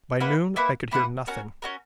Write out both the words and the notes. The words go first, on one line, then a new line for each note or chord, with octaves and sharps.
By noon I could hear nothing.
A#3 E4 B4 F#5
A#3 E4 B4 F#5
A#3 E4 B4 F#5
C#4 F#4 A#4
C#4 F#4 A#4